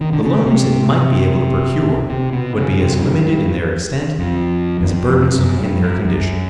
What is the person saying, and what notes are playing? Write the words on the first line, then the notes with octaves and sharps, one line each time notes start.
The loans it might be able to procure would be as limited in their extent as burdensome in their conditions.
D#3
D3
C#3
C3
C3
B2
C#3
C3
F#2
G2
G2
F2
E2
F2
F2
F#2
G2
F#2
F#2